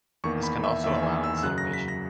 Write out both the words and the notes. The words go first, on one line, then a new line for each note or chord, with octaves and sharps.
This can also allow incineration.
E2 D#3 A#3 C#6
B5
E5
E2 D#3 A#3 E5
G#5
E6
E6
F#2 C#3 F#3 F#6
A#6
B6
A#6